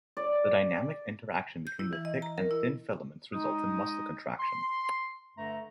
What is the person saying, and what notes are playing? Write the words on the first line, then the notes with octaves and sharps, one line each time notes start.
The dynamic interaction between the thick and thin filaments results in muscle contraction.
D5
G6
E4
E3
D#5
A#5
A#4
E4
G#3 D#4 D#6
C6
G2 D3 A3 A#5